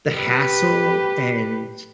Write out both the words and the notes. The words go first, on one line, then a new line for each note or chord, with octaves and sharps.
the hassle and
G4 B4